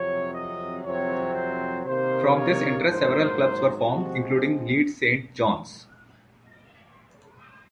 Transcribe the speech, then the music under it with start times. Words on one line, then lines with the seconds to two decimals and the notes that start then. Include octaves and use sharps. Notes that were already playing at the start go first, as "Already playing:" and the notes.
From this interest several clubs were formed, including Leeds Saint John's.
Already playing: F2 C3 F#3 C#5
0.33 D#5
0.84 F2 C3 F#3 C4 C#5
1.34 C5
1.84 C3 D#3 A#3 C5
2.34 C#5
2.85 G#2 D#3 F#3 A#3 C5
3.85 C3 F3 G#3 C4 F#4